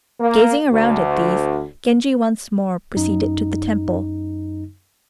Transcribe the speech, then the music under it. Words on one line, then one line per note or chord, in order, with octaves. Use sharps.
Gazing around at these Genji once more proceeded to the temple.
A#3
D2
F#2 D#4